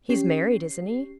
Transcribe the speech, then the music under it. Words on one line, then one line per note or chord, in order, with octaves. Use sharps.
'He's married, isn't he?
C#4 G4 C7